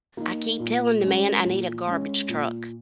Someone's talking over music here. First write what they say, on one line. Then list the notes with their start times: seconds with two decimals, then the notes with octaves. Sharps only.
I keep telling the man I need a garbage truck,
0.17 A#3 D#4
0.59 A#2
1.02 G#3 C#4
1.44 A#2
1.87 G#3 C#4
2.28 A#2